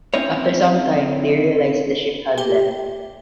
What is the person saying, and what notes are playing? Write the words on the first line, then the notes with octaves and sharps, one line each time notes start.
After some time they realized the ship had left.
C4 C#4 D#4 E4 C#5
G4